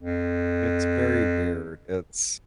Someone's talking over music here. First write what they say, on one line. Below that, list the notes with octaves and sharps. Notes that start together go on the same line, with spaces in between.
it's very weird, it's
F2